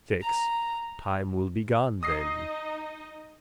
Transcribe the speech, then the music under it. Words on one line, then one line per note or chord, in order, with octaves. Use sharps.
Six. Time will be gone then.
A#5
D#4 D#5 D#6 A#6 C7